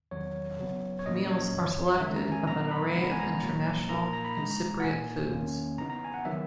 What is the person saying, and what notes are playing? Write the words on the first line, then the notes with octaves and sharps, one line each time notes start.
Meals are selected of an array of international and Cypriot foods.
E2 D#3 F#3 C#5
C#3 F#3 B3
C#5
A#2 F#3 A#3 C#4 D#5
C#5
F#2 C#3 E3
D#3 G#3 C#4 E5
A#5
G#5
A#2 F#3 B3 A#5
B5
C#3 E3 G#3 B3 D#4 B5
A#5
G#5
A#5
A#2 F#3 A#3
A#2 A#3 D#4 A#5
A#5
B5
B2 G#3 D#4 A#5
F#5
A#2 A#3 D#4 G#5
E2 D#3 A#3 C#4
C#3 E3 B3 D#4 A#5
A#5
G#5
F#5
D#3 F#3 B3 D#4 E5